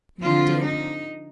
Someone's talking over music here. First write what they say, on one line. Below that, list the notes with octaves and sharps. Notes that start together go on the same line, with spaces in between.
"You did!"
D3 F3 C4 F4
D#4